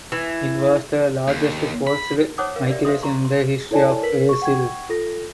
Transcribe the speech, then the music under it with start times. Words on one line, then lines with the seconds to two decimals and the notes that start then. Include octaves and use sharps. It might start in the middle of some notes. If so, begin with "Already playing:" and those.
It was the largest forced migration in the history of Brazil.
0.12 E3
1.28 D#2
1.87 B5
2.38 D#4 C5 C#5 F#5 D6 D#6
2.56 A#4 F5
2.70 G4 D5 E5
2.85 C5 E5 F5 C6 D#6
3.02 A#5 C6 C#6
3.25 C6
3.71 E4 A4 C#5 D5 G#5 A5
4.03 A#4 B4 B6 F#7
4.29 C#6
4.42 F#5 G5 C#6 G#6
4.89 F4 A4 A#6